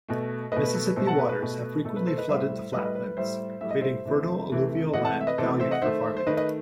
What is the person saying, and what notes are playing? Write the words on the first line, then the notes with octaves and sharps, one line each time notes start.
Mississippi waters have frequently flooded the flatlands, creating fertile alluvial land valued for farming.
B2 A3
B2 A3 B4 D#5
B4
A4
B4
B2 A3 A4 C5
F#5 A5
A4
B4
B4
B2 A3
B2 A3 A4
B4
A4 C5
B4 D#5
A2 G3 C5 E5
A2 G3 B4 D#5
B4 D#5
B4
B4
A2 G3 C5 E5
A2 G3 E5
D#5
C5 E5
C3 E3 A3
C3 E3 A3
C3 E3 A3 D#5 F#5
F#5 A5
E5
B4 D#5
C3 E3 A3 A4 C5
C5 E5
D#5 F#5
D#3 A3 C5 E5
C5
D#3 A3 B4 D#5
B4 D#5